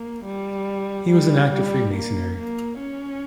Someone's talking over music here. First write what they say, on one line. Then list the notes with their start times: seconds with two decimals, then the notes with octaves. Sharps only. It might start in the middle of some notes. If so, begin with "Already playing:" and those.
He was an active Freemasonry.
Already playing: A#3
0.25 G3
1.10 G3
1.52 G3
1.95 A#3
2.38 A#3
2.80 C#4